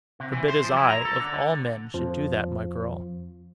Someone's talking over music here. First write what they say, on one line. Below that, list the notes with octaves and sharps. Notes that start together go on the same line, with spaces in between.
Forbid as I, of all men, should do that, my girl!
C3
E3
C5
F3
E4
A#5
A4
D3
D3
F2 F3